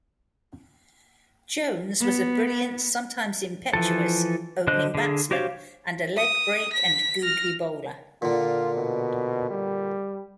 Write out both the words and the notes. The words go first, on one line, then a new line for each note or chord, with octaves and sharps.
Jones was a brilliant, sometimes impetuous, opening batsman and a leg-break and googly bowler.
B3
E3 F3 A4
D3 C5 D#5 F#6
D3 G#4
F#4 G4 C5 C#5 F5
D#6
B6
F6 A#6
A#2 D3 F4
B2
G3